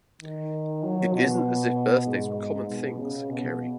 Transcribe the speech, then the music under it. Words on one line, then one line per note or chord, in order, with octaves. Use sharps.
It isn’t as if birthdays were common things, Kerry.
D#3
F#3
B2
G#2
B2
C#3
B2